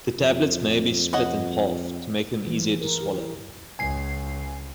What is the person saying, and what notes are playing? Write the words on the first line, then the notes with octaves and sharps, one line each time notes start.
The tablets may be split in half to make them easier to swallow.
F2
C#5 D#5 F#5
E3
G#4
A#4
G4
E4
C#2 G#5 C7